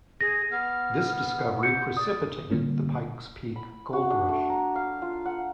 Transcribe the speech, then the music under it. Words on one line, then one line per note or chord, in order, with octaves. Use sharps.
This discovery precipitated the Pike's Peak Gold Rush.
G#4 A#6
B3 F6
G6 C#7
D5 D#6
D3 G3 A#3 C#4
B5
F#4
D4
A3
A#5
F5
F4
F#5